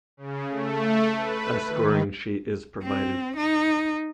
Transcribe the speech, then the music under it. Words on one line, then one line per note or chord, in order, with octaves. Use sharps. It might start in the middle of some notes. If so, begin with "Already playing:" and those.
A scoring sheet is provided.
C#3
A3
B4
D#3
C4
D#4